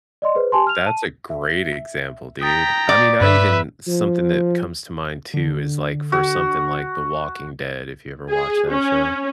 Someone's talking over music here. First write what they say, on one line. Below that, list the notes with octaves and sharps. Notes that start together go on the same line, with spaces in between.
That's a great example, dude, I mean, I even something that comes to mind too is, like, for something like The Walking Dead, if you ever watch that show
D5 D#5 C6
G#4 B4 C5
G4 G#5 A5 C6
F6 F7
A5 D#7
E5
G5 A#5 D#6 A6 B6
D5
G2 B4 E5
F3
D3
F#4
G#4
C#4